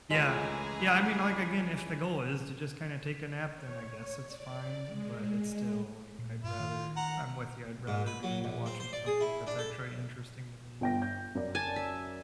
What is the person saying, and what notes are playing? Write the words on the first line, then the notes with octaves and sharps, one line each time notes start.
Yeah, yeah, I mean, like, again, if the goal is to just kinda take a nap, then I guess it's fine, but it's still like I'd rather, I'm with you, I'd rather be watching something that's actually interesting to me.
C#2 E3 G#3 A3 G#4 A4 G#5 A#5
C#5
D5
G#3
A#2
G2 F4
D#3
F#5 A#5
G#2
B4
F#3
A#1
C4
C5
D5
G#4
E4
D4
A4
G1 G5 A#6
G6
F#2 D5
G#5 A5
E5